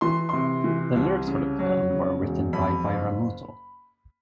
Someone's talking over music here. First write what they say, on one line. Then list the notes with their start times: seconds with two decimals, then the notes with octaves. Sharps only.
The lyrics for the film were written by Vairamuthu.
0.01 E3 C6
0.29 C3 C6
0.64 E3
0.96 C2
1.27 C#3
1.59 F#3
1.90 C#3
2.21 E1
2.53 F2 B5
2.84 F#1